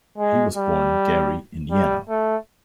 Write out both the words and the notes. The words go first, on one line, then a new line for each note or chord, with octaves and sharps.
He was born in Gary, Indiana.
G#3
G3
G3
A3